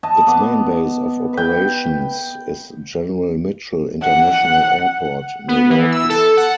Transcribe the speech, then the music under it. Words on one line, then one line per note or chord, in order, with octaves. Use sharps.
Its main base of operations is General Mitchell International Airport, Milwaukee.
D#5 A5
B3 D6
B4 G5
F#5
B3
E3
E6
A4
F#5